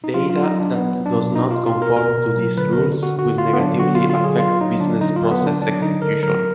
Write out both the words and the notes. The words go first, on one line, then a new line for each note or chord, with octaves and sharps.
Data that does not conform to these rules will negatively affect business process execution.
D#4
F#3 F4
F#3 F4
D#4
F#3
D4
F#3 B3
F#3
D4
B2
B2 D#4
F4
B2
F4
B2
A#4
B2 A#4
B2
F#3
D3 B4
D3 A#4
D3 F#4
D3 F#4
D3 F4
B3
F#3 D4
D3 F#4
D3 F4
F4
F#3 G#4
F#3 F4
F#3 D#4
D3 D4
D3 D#4
F#3 F4
B3
D3 D4
F#3 D4
D3 D#4
D3 A#4
F#3 A#4